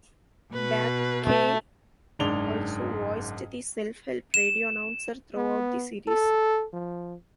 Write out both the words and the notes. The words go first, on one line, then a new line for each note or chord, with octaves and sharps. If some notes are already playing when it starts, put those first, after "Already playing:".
Bakay also voiced the self-help radio announcer throughout the series.
B2 B4
A3
F#1 G#2 D4 F7 G7
E7
B3
A4
F3